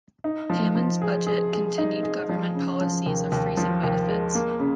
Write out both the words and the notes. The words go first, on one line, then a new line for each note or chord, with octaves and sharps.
Hammond's budget continued government policies of freezing benefits.
D#4
F3
F3
G#4
G#4
G#4
D#4
G#4
F3
C#3
F3
D#2
D#2
F3
D#2
G#3
A#3
C#3